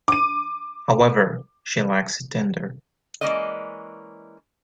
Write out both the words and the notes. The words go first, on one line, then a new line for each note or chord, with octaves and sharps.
However, she lacks a tender.
D6 D#7
E3 G#3 A#3 C#4 D5 D#5